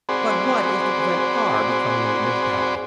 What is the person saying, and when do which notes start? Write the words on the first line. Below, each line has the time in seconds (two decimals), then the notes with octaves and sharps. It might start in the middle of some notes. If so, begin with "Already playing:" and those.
"But what is to prevent our becoming a municipality?"
0.09 C4 F#4 G#4 C5 D5 B5